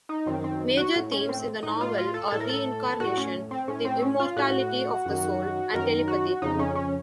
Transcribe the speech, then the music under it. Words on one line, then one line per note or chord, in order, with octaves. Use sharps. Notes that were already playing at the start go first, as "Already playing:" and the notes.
Major themes in the novel are reincarnation, the immortality of the soul, and telepathy.
D#4
F#2 D#3 C4
C4
F#4
A2
C#4
C4
A2 D#4
F4
F4
A4
A2 A4
A#4
A4
A2 F#4
C#4
C4
A2 C#4
C4
C#4
F4
A2 F#4
F#2 D#3
F#2 D#3 A#4
F#4
F2 C#3 D#4
C#4
C#4